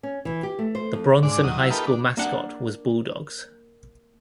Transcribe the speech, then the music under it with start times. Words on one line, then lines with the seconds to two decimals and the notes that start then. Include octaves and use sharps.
The Bronson high school mascot was Bulldogs.
0.03 C#4
0.25 E3
0.43 G4
0.59 A3
0.75 C5
0.93 F2
1.23 G#2 D3 D5
1.43 D#2 F#3 D#6
1.58 F#3 E4
1.70 A#3 D#4 F4 G4 A4 B4
1.87 D4
2.17 A#3 D4 F#5